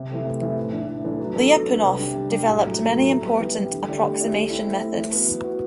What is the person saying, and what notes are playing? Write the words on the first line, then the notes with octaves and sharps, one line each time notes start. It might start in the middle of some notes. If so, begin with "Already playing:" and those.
Lyapunov developed many important approximation methods.
Already playing: C3
E3 A3 C4
C3
E3 A3 C4
A2
E3 A3 D4
A2
E3 A3 D4
F#3
B3 D4 A4
F#3
B3 D4 A4
C3
G3 D4 G4
C3
G3 D4 G4
A2
F#3 A3
A2
F#3 A3
E3
G3 B3
E3
G3 B3
D3
A3 E4 G4 D5
D3
A3 E4 G4 D5
A3
C4 E4
A3
C4 E4
E3
B3 F#4
E3
B3 F#4